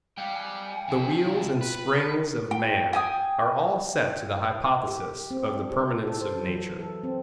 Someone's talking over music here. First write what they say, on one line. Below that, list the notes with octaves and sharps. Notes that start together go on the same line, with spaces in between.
The wheels and springs of man are all set to the hypothesis of the permanence of nature.
G3 F5 G5
G#5
F2 E4
F4
B4
G5
G5 G#5 D#6
G4
C4
D4
G4
A4
C5
F#3
E3
A4
C4